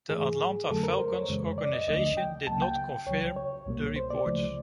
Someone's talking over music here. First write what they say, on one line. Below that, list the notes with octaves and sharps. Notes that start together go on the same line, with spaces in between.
The Atlanta Falcons organization did not confirm the reports.
G#2 E3 A3 G#4
F2 D3 F#3 A3 A4
A#4
C5
C#5
F2 C#3 E3 G#3
D5
D#5
D2 D3 F3 A3 D#5
G5
C#2 C#3 F#3 A#3 A5
G5
C#2 C#3 F#3 C#5
C#5
C2 B2 G3 A#3
C5
D5
C#2 C#3 F3 A3